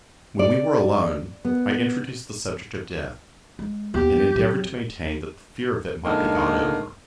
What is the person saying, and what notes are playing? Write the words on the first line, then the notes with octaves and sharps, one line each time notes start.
When we were alone, I introduced the subject of death, and endeavoured to maintain that the fear of it might be got over.
D5
B3
G#3
D#2 B3 G4
F2 F#3
A2 D3 D#3 G#3 A#3